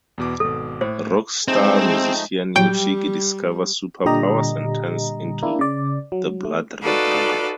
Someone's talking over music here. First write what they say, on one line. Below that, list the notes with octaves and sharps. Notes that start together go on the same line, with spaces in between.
Rock star musician Yoshiki discovers super powers and turns into the Blood Red Dragon.
E2 B2 D6
G#1 B2 A4
A2 C5
F3 G#3 A3 C4 D#4 G#4
F#3 G3 G5
A#2 D3 G3 G4 D#5 A#5
A#3 D4 E4
C#3 D5
F#3
A3
D#4 F#4 A4 B4 D5 F5